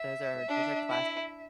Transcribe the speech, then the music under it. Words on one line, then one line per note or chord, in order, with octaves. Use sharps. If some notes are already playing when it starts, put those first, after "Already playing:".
Those are those are classics.
Already playing: E5
D4
E4